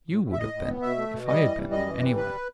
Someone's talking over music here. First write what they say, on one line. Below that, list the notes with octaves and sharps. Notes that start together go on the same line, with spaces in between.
You would have been if I had been, any way.'
A2
A2
E5
A2 D#5
A2
B3
B2 E5
A3
B2
G3 D#5
E3
G3
F#2 D#5
E3
G3
G2 B4